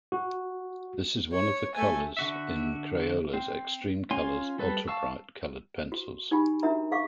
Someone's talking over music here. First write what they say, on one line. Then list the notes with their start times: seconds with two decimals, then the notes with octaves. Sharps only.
This is one of the colors in Crayola's eXtreme colors ultra-bright colored pencils.
0.12 F#4
1.31 C#5
1.75 A3 G#5
2.17 D3 F#4 E5
3.34 C4
4.11 C#4 F4 G#5 C6
4.59 G3 A4 B4
4.88 F5 A5 C#6 E6
5.92 F#4
6.31 D#4 G4 G#5 B5
6.63 D4 F#4 A#4 E5 A#5
6.91 G#4 F5 C#6 D6